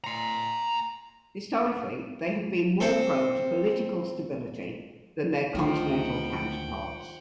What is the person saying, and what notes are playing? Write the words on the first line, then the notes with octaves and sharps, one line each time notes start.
Historically they have been more prone to political stability than their continental counterparts.
A#5 C6
C4 A4
D2 D#3 F3 F#5 G5